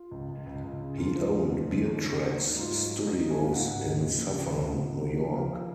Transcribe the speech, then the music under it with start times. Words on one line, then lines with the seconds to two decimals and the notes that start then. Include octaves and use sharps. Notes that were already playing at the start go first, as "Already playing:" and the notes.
He owned BearTracks Studios in Suffern, New York.
Already playing: F4
0.11 C#2
0.29 C#2
0.46 C#2
0.64 C#2
0.81 C#3
0.98 D#2 F4
1.16 F3
1.33 C#3
1.50 D#2
1.67 F3
1.85 D#2
2.03 C#3
2.20 D#2
2.38 F#3 D#4
2.55 G#2 F4
2.73 G#2
2.83 C#5
2.90 F#3
3.07 G#2 D#5
3.24 G#2
3.31 G#5
3.42 G#2 F5
3.53 F#5
3.58 G#2
3.76 C#2
3.94 C#2
4.11 F3
4.29 C#3
4.46 C#2
4.64 C#2
4.80 C#2
4.97 C#3
5.15 F3
5.33 F3
5.38 F5
5.50 F3